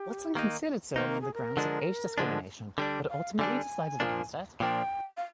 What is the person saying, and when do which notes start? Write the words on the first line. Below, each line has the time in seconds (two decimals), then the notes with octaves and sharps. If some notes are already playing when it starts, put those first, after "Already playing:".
Watson considered suing on the grounds of age discrimination but ultimately decided against it.
Already playing: G4
0.35 D#3 A#3 D#4
0.96 D#3 A#3 D#4 C5
1.08 A#4
1.21 G#4
1.34 A#4
1.57 D3 F3 G#3 D4
2.18 D3 F3 G#3 D4
2.78 D3 G3 D4 D5
3.09 F5
3.39 D3 G3 D4 G#5
4.00 A#2 F3 A#3 D4
4.60 A#2 F3 A#3 D4 G5
5.17 F5